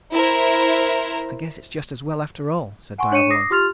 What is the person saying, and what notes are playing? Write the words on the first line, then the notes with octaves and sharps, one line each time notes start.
"I guess it's just as well after all," said Diavolo.
E4 A#4 C5
F#5 G#5 C6 C#6
D4 C#5 C#6 C#7 D#7 E7
D6 D#6 A#6 C7
F4 G4 C6 F6 A6 F7